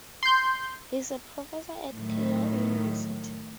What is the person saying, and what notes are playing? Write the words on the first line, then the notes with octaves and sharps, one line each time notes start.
He is a professor at Keio University.
C6 G6
A2 D#3 F#3